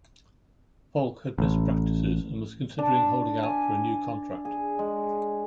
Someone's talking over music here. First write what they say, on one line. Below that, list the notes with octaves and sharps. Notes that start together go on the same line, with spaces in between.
Faulk had missed practices and was considering holding out for a new contract.
A1
D4
G#5
G#4
G#3